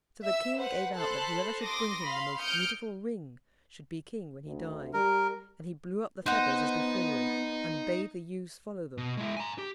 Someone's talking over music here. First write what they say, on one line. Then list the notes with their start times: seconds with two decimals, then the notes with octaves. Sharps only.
So the King gave out that whoever should bring him the most beautiful ring should be King when he died, and he blew up the feathers as before, and bade the youths follow them.
0.24 E5 E6
0.58 B4 C5 F#5
0.96 A4 C5 A5 B5 C6 F#6
1.63 C6 D6 D#6 A#6
2.04 F5 B5 C6
2.39 D#6 F6 G6 C#7 D7
4.46 D2
4.94 G3 A#4
6.26 B3 D#4 C5 F#5
8.98 B2
9.17 G#3 E4
9.37 G#5 A#5
9.58 G4